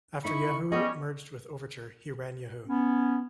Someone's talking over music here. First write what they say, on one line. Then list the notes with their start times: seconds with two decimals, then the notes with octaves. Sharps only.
After Yahoo merged with Overture, he ran Yahoo!
0.25 D#4 E4 B5 C#6
0.72 G3 B3 C#4 G#4 C#5 D#5
2.67 B3 C#4